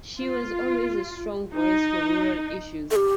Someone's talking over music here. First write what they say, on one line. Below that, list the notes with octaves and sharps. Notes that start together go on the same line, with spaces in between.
She was always a strong voice for rural issues.
F4
D#4
A4
G4